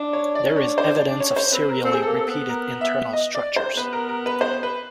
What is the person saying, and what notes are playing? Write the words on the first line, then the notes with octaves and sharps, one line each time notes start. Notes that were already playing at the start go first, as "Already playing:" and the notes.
There is evidence of serially repeated internal structures.
Already playing: D4
C#5
D5
C#4
D4 C#5
C5
D5
D4
C#4 C#5
C5
C4 B4
A#4
C4 A4
G#4
A#3 A4
C4 A4
B3
A#4
E5
D#5
D5
C5
B3 B4
A#4
A#4
B4
C5
B4